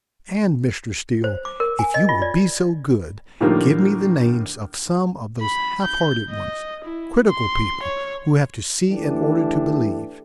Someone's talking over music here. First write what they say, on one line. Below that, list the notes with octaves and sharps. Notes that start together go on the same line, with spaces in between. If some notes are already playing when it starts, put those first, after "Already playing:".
And, Mr. Steele, if you will be so good, give me the names of some of those halfhearted ones--critical people who have to see in order to believe.
C5
D6
A#4
G#5
D#5
F4
D5
A2 D3 D#3 F3 G3 A#3
B5
G6
D#5
E4
C6
C#5
E3 A3 D4 G4